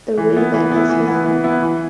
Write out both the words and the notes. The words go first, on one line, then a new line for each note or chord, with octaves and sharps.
The river is long.
E3
B3 E4
E3
B3 E4
E3
B3 E4
E3
B3 E4
E3